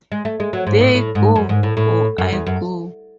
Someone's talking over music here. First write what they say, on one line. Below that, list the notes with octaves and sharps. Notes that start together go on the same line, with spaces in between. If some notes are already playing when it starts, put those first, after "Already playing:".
"They" go or "I" go!
G#3
A3
G#3
F#3
G#2
A2
A2
G#2
F#2
G#2
A2
A2
F#2
E2
F#2